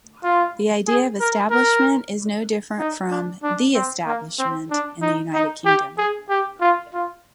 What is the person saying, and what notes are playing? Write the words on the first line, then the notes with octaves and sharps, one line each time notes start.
The idea of Establishment is no different from "The Establishment" in the United Kingdom.
F4
G#4
A#4
A#4
D#4
D4
D4
C4
A#3
C4
D4
D#4
D#4
G4
G#4
G4
F4
F4